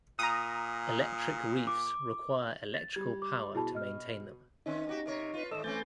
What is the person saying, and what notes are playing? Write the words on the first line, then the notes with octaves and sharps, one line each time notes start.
Electric reefs require electrical power to maintain them.
A#2 A#5 D#6
D6
A6
G3 G#6
D6
B2 E4 G#4 A5
D#5 F6
D#3 C4 C#4 D#4
A#3 F#4 G4
C3 A#4 C#5
F4 B4
G#2 D#3 A4 D#5 E6
E3 A3 C4 C#4 G6 A6